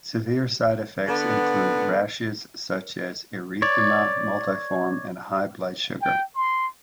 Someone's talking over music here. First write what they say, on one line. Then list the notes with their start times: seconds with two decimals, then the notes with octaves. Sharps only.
Severe side effects include rashes such as erythema multiforme and high blood sugar.
1.07 D3 B3
3.62 C#5 D5
6.02 G5
6.35 C6